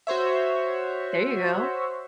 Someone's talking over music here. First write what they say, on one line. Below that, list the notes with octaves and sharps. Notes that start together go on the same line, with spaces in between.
There you go.
F#4 C5 C#5 E5